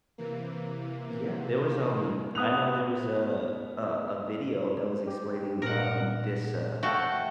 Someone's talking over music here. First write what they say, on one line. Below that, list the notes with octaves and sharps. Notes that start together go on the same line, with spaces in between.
Yeah, there was, um, I know there was a a a video that was explaining, um, this, uh
C3 E3 A#3
B3 D#6 F#6 F7
G4
A#2 A#4 F#5
A3 F#4 E5 F5 G5